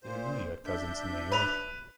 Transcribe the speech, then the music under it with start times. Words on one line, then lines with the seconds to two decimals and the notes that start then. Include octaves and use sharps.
Didn't know you had cousins in New York.
0.03 A#2 C5
0.65 D4 E5 G6
1.32 B4 F7